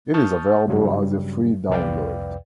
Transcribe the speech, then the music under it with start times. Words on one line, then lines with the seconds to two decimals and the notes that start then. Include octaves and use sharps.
It is available as a free download.
0.14 A5 C#6 D#6 F6 G6 A6
0.68 G2 C#3 F#3 G3
1.70 C2 F2 B4 D5 F5 G5